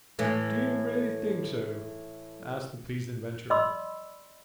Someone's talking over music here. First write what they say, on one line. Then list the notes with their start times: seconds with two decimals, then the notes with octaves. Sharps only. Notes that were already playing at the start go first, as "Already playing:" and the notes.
"Do you really think so?" asked the pleased inventor.
0.19 A2 E3 A3
3.50 D5 D#5 B5 C6 D6 E6